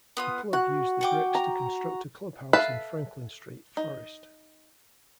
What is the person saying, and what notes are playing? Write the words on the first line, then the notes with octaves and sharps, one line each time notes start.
The club used the bricks to construct a clubhouse in Franklin Street, Forrest.
B3 F4 D#6
F#4 F#6
F#5 G5 D6
A#5
A4 B4 E5 F5 A5
D#4